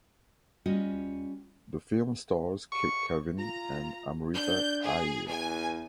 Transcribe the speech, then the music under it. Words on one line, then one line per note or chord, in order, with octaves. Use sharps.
The film stars Kavin and Amritha Aiyer.
G3 C#4 F4 F#4 D#5
C#6
F4 A#5
D4 G6
G#4
E2 G#5